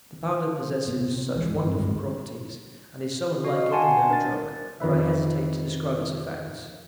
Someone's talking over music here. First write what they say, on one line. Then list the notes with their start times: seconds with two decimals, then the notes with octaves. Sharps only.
The powder possesses such wonderful properties, and is so unlike any known drug, that I hesitate to describe its effects.
0.87 C3 B3
1.08 C3
1.34 C#2 E3 G#3
1.48 G1 D#3
1.64 G2 C4
1.79 D2 G2 G#3
3.45 F#4 D#5 F5
3.72 F#5 G#5 A5 C6
4.09 D4 A#4 A6
4.80 F2 D#3 B4 E5